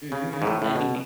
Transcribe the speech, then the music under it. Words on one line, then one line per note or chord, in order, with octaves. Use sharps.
Mhm. That'd be me.
C#3
C#3
G#2
A2
A2
B2